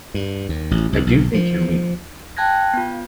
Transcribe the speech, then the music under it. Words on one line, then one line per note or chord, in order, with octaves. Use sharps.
I do think you’re mean.
G2
D#2
A1
C2
B1
F3
G5 A5 F#6 G#6 A#6
B3 F4